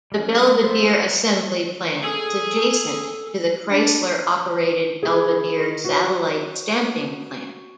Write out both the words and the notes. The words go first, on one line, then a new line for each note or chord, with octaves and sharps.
The Belvidere Assembly Plant is adjacent to the Chrysler operated Belvidere Satellite Stamping Plant.
G3 C#4
F4 C5 E5
G#4 A4
D4
E4 G#4
F#4 C#5